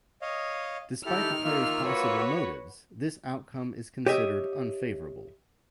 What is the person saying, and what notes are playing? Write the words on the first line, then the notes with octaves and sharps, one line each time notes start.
Despite the player's possible motives, this outcome is considered "unfavorable".
C#5 D#5 F5
D#3 E4 G4 A4 F6
A#3 F4 E5
F#4 B4 C#5
G4 C#5 D#5 E5